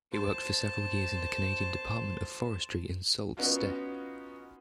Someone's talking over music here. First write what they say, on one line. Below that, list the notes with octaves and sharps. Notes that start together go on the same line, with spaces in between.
He worked for several years in the Canadian Department of Forestry in Sault Ste.
C5 A5
B3 C#4 D#4 F4 F#4